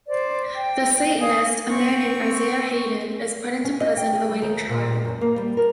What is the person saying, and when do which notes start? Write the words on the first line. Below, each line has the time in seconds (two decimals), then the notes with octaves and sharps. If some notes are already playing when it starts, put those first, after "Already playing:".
The Satanist, a man named Isaiah Haden, is put into prison awaiting trial.
0.06 C5 D5
0.55 G5
1.20 F5 G#5 D#6
1.69 C4 C#6
3.65 C#4
3.81 D#5
3.97 G5
4.13 G#4
4.29 G3
4.42 D#2
4.69 A#2
5.05 F#2
5.21 A#3
5.36 G3
5.57 A#4